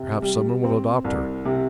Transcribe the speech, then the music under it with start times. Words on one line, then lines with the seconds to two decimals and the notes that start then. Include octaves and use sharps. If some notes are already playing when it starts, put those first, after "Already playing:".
Perhaps some one will adopt her.
Already playing: C3
0.22 G3
0.64 C4
1.04 C2
1.45 C3